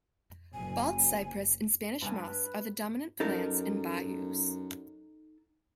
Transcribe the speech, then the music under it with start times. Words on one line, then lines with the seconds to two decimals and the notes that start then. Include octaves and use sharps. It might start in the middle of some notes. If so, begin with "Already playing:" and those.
Bald cypress and Spanish moss are the dominant plants in bayous.
0.54 F#1 G#5
2.02 G2 B4 G#5
3.20 F#2 D#4 A4 A#4